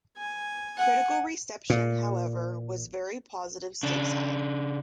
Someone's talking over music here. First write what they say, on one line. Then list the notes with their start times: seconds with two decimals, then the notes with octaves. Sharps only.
Critical reception, however was very positive stateside.
0.17 G#5
0.78 F#5 G#5
1.70 A#2
3.83 C#3 D4